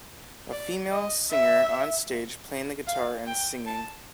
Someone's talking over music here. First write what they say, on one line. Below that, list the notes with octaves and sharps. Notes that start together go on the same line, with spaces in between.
A female singer on stage playing the guitar and singing.
D5
D#5
E5
F5
G5
A5